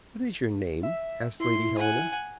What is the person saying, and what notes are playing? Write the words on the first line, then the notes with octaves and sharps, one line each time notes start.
"What is your name?" asked Lady Helena.
E5
E4 C6
F#5 G#5